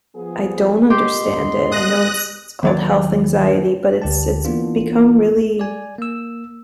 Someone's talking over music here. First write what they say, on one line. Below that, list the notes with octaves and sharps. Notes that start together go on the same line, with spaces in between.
I don't understand it. I know it's it's called health anxiety, but it's, it's become really
F3 B3 G#4
A#2 B3 G4 D#5 C6
D#6 F#6 A#6
D#2 F#3 D5
D2 G4 A5
E3 A#3 B3 D4 F4
D5 G#5
A#3 E6